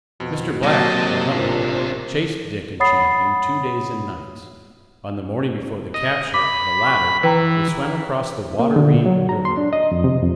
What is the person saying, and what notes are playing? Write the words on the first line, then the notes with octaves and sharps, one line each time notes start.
Mr. Black, the hunter, chased Dick and Champion two days and nights; on the morning before the capture of the latter they swam across the Water-ree river.
F2 B2
G#1 C3 F#3 A#3 D#5 A5
A1 A#2 D4
C#5 F#5 B5 D#6 A6 C7
D#5
B5 D6
C#6
E3 B4 G5 A#5
A#3
D3
A#2
F#3
A#5
C6
D4
D#5
F2
C3
F2